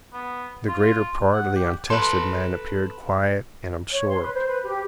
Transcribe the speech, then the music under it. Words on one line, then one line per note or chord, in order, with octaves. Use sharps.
The greater part of the untested men appeared quiet and absorbed.
B3
F4
F#5
G4
A4 B4 C6
C#5
C6
B4
C5
B4
G4